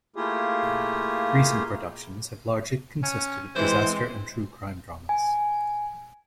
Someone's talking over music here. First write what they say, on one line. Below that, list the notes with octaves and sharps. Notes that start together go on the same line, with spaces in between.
Recent productions have largely consisted of disaster and true crime dramas.
A3 A#3 E4 F4 G4 G#4
C#4
E3 G#3 C4 C5
G#5